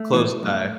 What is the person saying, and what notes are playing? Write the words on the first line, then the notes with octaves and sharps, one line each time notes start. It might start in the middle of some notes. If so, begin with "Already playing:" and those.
close, uh,
Already playing: A3
A2 E3
B1